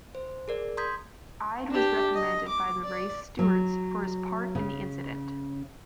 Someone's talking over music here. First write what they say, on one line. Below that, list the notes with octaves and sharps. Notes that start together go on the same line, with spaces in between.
Ide was reprimanded by the race stewards for his part in the incident.
C5
G#4 A#4 D5
A#5 C6 D#6 G6 G#6 B6
D4 G4
D#5
D6
D5
F#3
C#3